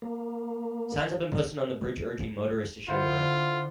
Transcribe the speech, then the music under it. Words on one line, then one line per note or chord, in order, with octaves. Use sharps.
Signs have been posted on the bridge urging motorists to "share the road".
A#3
D3 E4 F4 C5 F#5